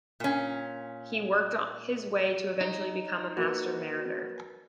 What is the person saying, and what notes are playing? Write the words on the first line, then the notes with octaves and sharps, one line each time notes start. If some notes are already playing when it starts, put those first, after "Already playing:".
He worked his way to eventually become a master mariner.
A#2 C#4
D#4
A#3 F#4 A#4 B4